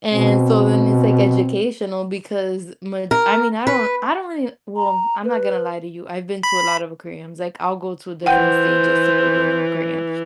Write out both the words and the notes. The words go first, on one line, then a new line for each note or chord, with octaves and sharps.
and so then it's like educational because much I mean, I don't I don't really well, I'm not gonna lie to you. I've been to a lot of aquariums, like I'll go to a different state just to go to a new aquarium,
B2 C4
A#4
B4
A#5
B4
B5
E3 C5 F#5 G5